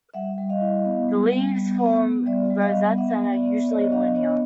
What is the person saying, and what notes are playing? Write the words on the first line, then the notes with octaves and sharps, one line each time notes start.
The leaves form rosettes and are usually linear.
G3 E5 F#5
G3
D#5 F5
E4
B3
G3
G3
B3
B3
B3
G3 D5 E5
G3
D#5 F5
B3
B3 E5 F#5
B3
D5 E5
B3
D5
B3 C#5 D#5
D4 D#5 F5
B3 C#5 D#5